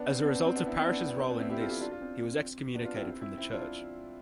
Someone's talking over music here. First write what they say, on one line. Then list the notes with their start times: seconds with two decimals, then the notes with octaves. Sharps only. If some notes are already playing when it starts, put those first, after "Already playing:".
As a result of Parrish's role in this, he was excommunicated from the church.
Already playing: B3 D4
0.09 C4
0.24 B3 D4
0.35 C4
0.46 C4
0.56 B3 D4
0.66 C4 E4
0.76 C4 E4
0.87 B3 D4
0.98 C4
1.08 B3
1.18 C4
1.29 B3 D4
1.39 C4 E4
1.50 E4 G4
1.60 F4 A4
1.70 E4 G4
1.81 D4 F4
1.91 D4 F4
2.01 C4
2.74 B3 D4
2.85 D4 F4
2.95 E4 G4
3.06 C4 E4
3.21 C4 E4
3.37 C4 E4
3.53 D4 F4